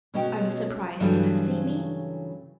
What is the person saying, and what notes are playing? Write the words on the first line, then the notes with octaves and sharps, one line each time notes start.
"Are you surprised to see me?"
B2 G#3 C#4 F#4 G5
G2 C#3 E3 F#3 G3 A3